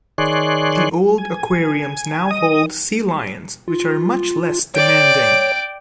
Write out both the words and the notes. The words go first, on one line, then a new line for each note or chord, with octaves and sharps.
The old aquariums now hold sea lions, which are much less demanding.
D#3 G#4 C#5 D5 C6 F#6
G#5
D#5 D#6
F4
C#5 D5 G5